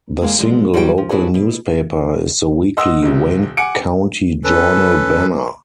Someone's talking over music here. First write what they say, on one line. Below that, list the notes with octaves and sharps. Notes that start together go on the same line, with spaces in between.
The single local newspaper is the weekly "Wayne County Journal Banner".
G#3 A#3 G#4 F5
C3 F3 G3 G#3
F#3 G3 F#4 G4 G5
F3
D4 E4 F#4 G#4 B4 C#5
B2
D#5 F#5 C6 D#6 E6
D#1 C2
F#5 G#5 D6 C#7 D7
C#4 A4 B4